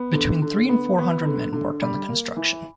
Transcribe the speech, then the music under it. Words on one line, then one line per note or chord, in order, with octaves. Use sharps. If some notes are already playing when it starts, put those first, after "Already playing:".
Between three and four hundred men worked on the construction.
Already playing: B3
D3
D3
B3
B3
D3
D3
G3
A#3
E3